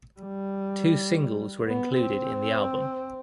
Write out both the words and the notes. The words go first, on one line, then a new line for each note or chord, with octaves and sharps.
Two singles were included in the album.
G3
B3
C4